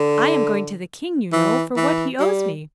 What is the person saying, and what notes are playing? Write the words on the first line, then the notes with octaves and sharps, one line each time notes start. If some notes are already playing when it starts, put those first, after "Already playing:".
'I am going to the King, you know, for what he owes me.'
Already playing: D3
E3
E3
G3